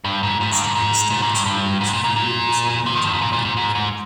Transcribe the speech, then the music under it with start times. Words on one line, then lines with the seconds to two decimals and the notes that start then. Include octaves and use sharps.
Once the pain starts she begins furiously writing in binary code.
0.05 G2
0.23 G#2
0.41 G#2
0.52 G2
0.64 G#2
0.75 G#2
1.10 A#2
1.22 G#2
1.34 G2
1.45 G2
1.81 G#2
1.93 A#2
2.04 A#2
2.16 A#2
2.86 C3
2.96 D#3
3.04 G2
3.13 G#2
3.21 A#2
3.33 A#2
3.45 G#2
3.57 G#2
3.75 G#2